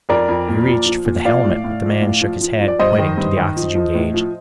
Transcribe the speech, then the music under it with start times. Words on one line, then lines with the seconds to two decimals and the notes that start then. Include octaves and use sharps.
He reached for the helmet, but the man shook his head, pointing to the oxygen gauge.
0.09 F2 A#4 D5
0.28 F2
0.48 A#2
0.67 F3
0.86 F3
1.06 A#2
1.25 F3 D5 F5
1.44 A2
1.64 A2
1.83 F3
2.02 A2
2.21 F3
2.41 F3
2.60 F3
2.68 D5
2.79 G2 C5 D#5
2.99 D#3
3.17 G2
3.37 D#3
3.56 F3
3.75 F3
3.95 A2
4.14 F3